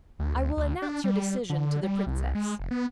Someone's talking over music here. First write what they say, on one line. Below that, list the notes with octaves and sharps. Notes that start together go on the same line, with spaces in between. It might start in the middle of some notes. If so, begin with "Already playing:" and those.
I will announce your decision to the Princess.
D2
D2
D2
D4
G3
D3
G3
C2
G#3
F1
B3